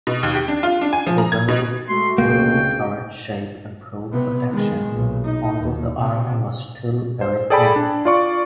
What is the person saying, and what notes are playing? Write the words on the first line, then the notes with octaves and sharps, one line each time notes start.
The welded, conical turret shape improved protection, although the armor was still very thin.
B2
D#2
G4
D4
F4
D4
G#5
F3
A#5
G#6
B2
G#3 A3 F#4 E5 C6
F#1 C#2 C3 A3 A#3 G5
C3 B3
D#3 G#3
B1 A#2
D#4
D#2
C3
C5
G#4 A4 D5 G5 G#5 B5
D4
F4 D5 C#6